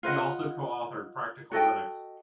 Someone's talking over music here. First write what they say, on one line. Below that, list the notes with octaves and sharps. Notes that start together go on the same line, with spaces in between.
He also co-authored "Practical Linux".
F4 B4 D#5 F#5
F#4 A4 D#5 G5